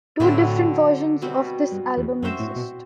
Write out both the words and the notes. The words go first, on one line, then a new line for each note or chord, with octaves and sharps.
Two different versions of this album exist.
A2 D3 F#3 C4 E4
B2 G3 C4 F#4
G2
E2
F#2 C4 F#4 C5 E5
A2
B2